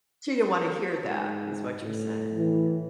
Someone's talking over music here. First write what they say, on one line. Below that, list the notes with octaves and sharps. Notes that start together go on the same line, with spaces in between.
She didn't wanna hear that, is what you're saying.
G#2
A2
E3